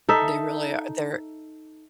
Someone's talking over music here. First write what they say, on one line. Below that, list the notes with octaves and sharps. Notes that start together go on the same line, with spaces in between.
They really a they're
D#4 A4 E5